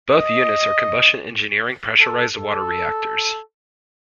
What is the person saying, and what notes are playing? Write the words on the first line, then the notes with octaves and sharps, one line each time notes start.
Both units are Combustion Engineering pressurized water reactors.
D#5
A4
A4